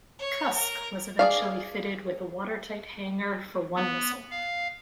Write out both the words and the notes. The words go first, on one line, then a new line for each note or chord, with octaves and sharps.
"Cusk" was eventually fitted with a watertight hangar for one missile.
C#5
A#4
G#4 D5 F5
B3
F5